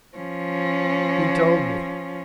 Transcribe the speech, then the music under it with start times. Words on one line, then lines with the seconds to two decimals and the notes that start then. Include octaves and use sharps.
He told me.
0.17 F3 C#4